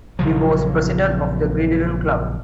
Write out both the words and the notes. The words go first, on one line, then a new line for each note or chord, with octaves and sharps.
He was president of the Gridiron Club.
A#1 C#3 F3 F#3